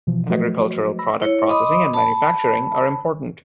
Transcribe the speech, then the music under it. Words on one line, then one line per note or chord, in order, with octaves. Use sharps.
Agricultural product processing and manufacturing are important.
B2 E3 F3
F3 F#3 A3 F#4 B4 D#5
B5 E6 A#6
E4 C#5
D#5 B5 C6 D6 D#6
A5 B5